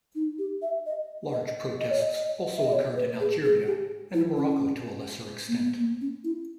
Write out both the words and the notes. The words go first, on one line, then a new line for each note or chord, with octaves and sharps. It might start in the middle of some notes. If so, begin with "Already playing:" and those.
Large protests also occurred in Algeria and Morocco to a lesser extent.
D#4
G4
E5
D#5
D#5
D#5
C#5
D#5
E5
D#5
C#5
B4
G#4
G#4
G4
E4
C#4
A#3
B3
A#3
C#4
E4